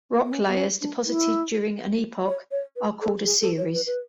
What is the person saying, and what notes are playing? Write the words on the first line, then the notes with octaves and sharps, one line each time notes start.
Rock layers deposited during an epoch are called a series.
B3
C#4
B3
C#4
D4
E4
C#5
C#5
B4
A4
G#4
A4
C#5
B4
B4